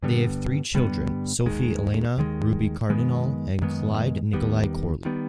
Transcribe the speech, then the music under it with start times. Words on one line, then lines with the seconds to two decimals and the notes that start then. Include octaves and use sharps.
They have three children: Sophie Elena, Ruby Cardinahl and Clyde Nikolai Corley.
0.03 G2 D3 G3 B3
0.74 G2 D3 G3 B3
1.46 D#2 D#3 G#3
2.18 D#2 D#3 G#3
2.89 F#2 D#3 G#3 B3
3.61 F#2 D#3 G#3 B3
4.33 D#2 D#3 G3 B3
5.05 D#3 G3 B3